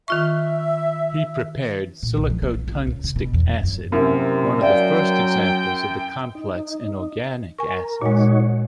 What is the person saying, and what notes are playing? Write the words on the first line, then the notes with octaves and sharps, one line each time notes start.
He prepared silicotungstic acid, one of the first examples of the complex inorganic acids.
D#3 F4 E5 C#6
A#2
B1
F3
A#3
A#1
A#1
C#2
C3
B2
E2
C#2
F#2
F#2 C3 A#3 E4
F#3 D5 E5 F5 G5
D#4
A#4 G#5 C#6
A#2 G#3 D#4 F#4 C#5